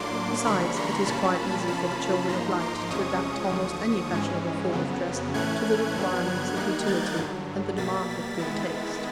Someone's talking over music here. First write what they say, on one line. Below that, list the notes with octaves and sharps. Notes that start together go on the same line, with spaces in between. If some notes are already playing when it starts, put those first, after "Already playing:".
Besides, it is quite easy for the children of light to adapt almost any fashionable form of dress to the requirements of utility and the demands of good taste.
Already playing: A2 F#3 A#3 D4 C6 D6
C#3 E3 G3 A#3 D4 B5 C#6
A#5 C6
A#2 G3 A#3 C#4 F4 A5 B5
C3 F3 A#3 C#4 F4 A5 B5
G#2 F3 A#3 D#4 A#5 C6
C6 D6
E2 C3 F3 G#3 C#4 C#6 D#6
D#2 D3 F3
G#2 E3 G#3 C#4
F2 C#3 F#3 B3
A2 E3 A3 C#4 F#6 G#6
G2 D3 F#3 B3
D#3 G3 A#3 D#4 F#6 G#6
G6 A6
G2 D3 F#3
B2 G3 A#3 A6 B6
D#3 G#3 B3 E4 A6 B6